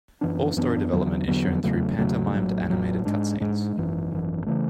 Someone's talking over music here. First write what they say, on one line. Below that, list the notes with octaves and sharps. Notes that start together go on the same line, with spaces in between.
All story development is shown through pantomimed animated cutscenes.
F#2 E3 B3 D4
F#2 E3 B3 D4
E2 D3 F#3 B3
E2 D3 F#3 B3
E2 C#3 F#3 A3
E2 C#3 F#3 A3
A1 A2 F#3
A1 A2 F#3
G#2 G#3 D4
G#2 G#3 D4
G#1 F#2 E3
G#1 F#2 E3
C#3 E3 A3